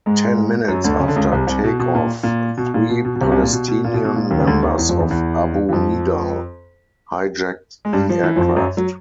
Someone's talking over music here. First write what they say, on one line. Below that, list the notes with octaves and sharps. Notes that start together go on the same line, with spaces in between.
Ten minutes after takeoff, three Palestinian members of Abu Nidal hijacked the aircraft.
G#2 G#3
F#2 F#3
D2 D3
C#3
D3
C#2 C#3
C2 C3
C2 C3
B2
B2
A#2
A#2
B2
A#2
B2
B2
B2
C2 C3
C2 C3
A#2
B2
B2
A#2
B2
B2
A#2
D#2 D#3
C#3
D2 D3
D#2 D#3
E2 E3
F2 F3
E2 E3
E2 E3
E3
F2 F3
G#3
G2 G3
F3
E3
F2 F3
F#2 F#3
F#3